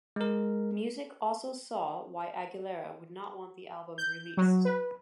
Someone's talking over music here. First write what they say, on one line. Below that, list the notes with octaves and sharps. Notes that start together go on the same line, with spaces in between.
Music also saw why Aguilera would not want the album released.
G#3 A#4
G6
F#3
B4